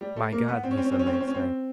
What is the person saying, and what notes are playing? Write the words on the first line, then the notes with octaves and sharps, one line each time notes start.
'My God!' he suddenly exclaimed.
G3
A3
A#3
B3
C4
C#4
C4
C#4
C4
C#4
C4
C#4
C4
C#4
C4